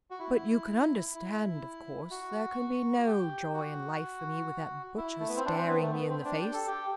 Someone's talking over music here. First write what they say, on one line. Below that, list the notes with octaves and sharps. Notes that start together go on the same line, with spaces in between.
"But you can understand, of course, there can be no joy in life for me with that butcher staring me in the face."
F#4
E4
E4
F#4
G4
F#4
E4
A3
B3
C4
D4
C4
B3
A3
B3
C4
D4
G4
A4
G4